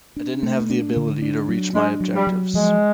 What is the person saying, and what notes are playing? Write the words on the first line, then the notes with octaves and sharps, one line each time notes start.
I didn't have the ability to reach my objectives.
D4
A3
D4
D3
D4
F#3
G#3 D4
F#3
G3
F#3
F3 G#3